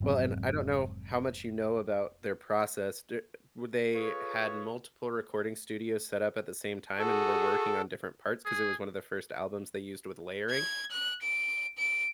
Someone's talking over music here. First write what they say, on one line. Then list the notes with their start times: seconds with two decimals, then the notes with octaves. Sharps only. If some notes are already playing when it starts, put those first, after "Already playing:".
Well, and I don't know how much you know about their process. D w they had multiple recording studios set up at the same time and were working on different parts- 'cause it was one of the first albums they used with layering.
0.01 F1 G#2 F#3 C4
3.94 F4 G#4 A4 B4 C#5
6.99 F#4 G#4 A4
8.45 G#4
10.51 G#6
10.92 F#6
11.23 D7
11.78 D7